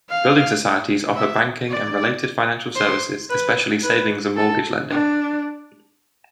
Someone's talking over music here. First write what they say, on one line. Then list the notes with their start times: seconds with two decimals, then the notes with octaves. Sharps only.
Building societies offer banking and related financial services, especially savings and mortgage lending.
0.09 F5
1.16 E5
1.69 D5
2.76 C5
3.30 B4
3.83 B4
4.37 A4
4.90 D4